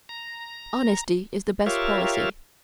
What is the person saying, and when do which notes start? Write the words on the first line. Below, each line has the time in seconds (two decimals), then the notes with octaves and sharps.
Honesty is the Best Policy.
0.09 A#5
1.66 F4 G4 A#4 C#5 E5 F5